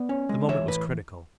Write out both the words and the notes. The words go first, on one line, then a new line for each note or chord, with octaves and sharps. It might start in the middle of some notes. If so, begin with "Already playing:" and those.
The moment was critical.
Already playing: B3 D5
C#4
G#3
E3 C#5 E5
A2 B4